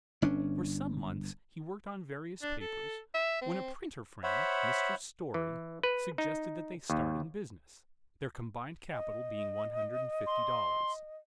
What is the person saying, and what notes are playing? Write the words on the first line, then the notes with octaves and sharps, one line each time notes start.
For some months he worked on various papers, when a printer friend, Mr. Story, suggested that they start in business, their combined capital being one hundred and fifty dollars.
G1 C#4 D4
D4
A4
E5
C4
C5 C#5 E5 F#5 B5
E3
B4
D#4
D#2
D#5
C6